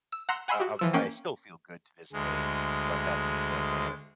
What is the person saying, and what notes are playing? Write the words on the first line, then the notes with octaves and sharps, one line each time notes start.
uh, I was I still feel good to this day about helping the young man,
E6
F#5 A#5 C6 E6 F#6
F#5 G#5 B5 C6 E6 F6
F#4 G4
E3 F3 E6
A#3 C#4 G5
D2 G#3